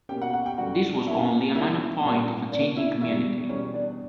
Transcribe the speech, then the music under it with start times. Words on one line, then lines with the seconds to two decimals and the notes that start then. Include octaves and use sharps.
This was only a minor point of a changing community.
0.09 B2 A#3 C#4 G4 G5
0.22 F#4 F#5
0.33 F#4 F#5
0.45 G4 G5
0.58 F#2 D3 G3 F#4 F#5
1.06 B2 A#3 C#4 E4 E5
1.55 B2 G3 A#3 C#4 E4 E5
2.04 A#2 G3 A#3 C#4
2.52 B2 A#3 C#4 D4 D5
2.77 E4 E5
3.01 E2 B2 G3 E4 E5
3.49 E2 B2 G3 C#4 C#5
3.74 D4 D5